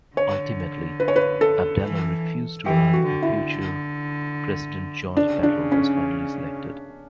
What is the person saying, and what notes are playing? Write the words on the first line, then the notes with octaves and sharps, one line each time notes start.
Ultimately, Abdala refused to run and future President Jorge Batlle was finally selected.
D3 C#5
B4
C#5
B4
A4
E3
E3 G4
F#4
D3
E4
C#3 D4
D4
C#4